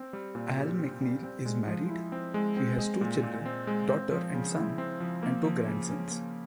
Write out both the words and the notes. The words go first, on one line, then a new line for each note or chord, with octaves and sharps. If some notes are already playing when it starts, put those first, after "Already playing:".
Al MacNeil is married, he has two children, daughter and son, and two grandsons.
Already playing: C4
G3
A#2
G4
C4
G3
C4
G#3
F3
E4
C4
G#3
C4
G#3
A#2
A#2
C4
G#3
C4
F3
C#3
E4
C4
F3
A#3
F3
C#3
C#4
A#3